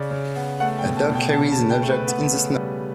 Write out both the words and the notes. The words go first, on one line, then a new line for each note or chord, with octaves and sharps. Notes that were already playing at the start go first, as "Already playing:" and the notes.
A dog carries an object in the snow.
Already playing: C#3 D5
C#3
B3
A3 F#5
G5
B2
A5
B2
G5
C#3 A5
A5
C#3
G5
A3
B4
B3
C#3
G3